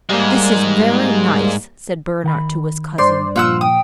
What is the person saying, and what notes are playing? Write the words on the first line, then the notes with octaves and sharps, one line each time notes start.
"This is very nice," said Bernard to his cousin.
G#2 G3 G#3 A#3
D#3 F#5 B5
G2 D4 C5 D5 C6
A#2 F3 F4 F#5 E6
G5 D#6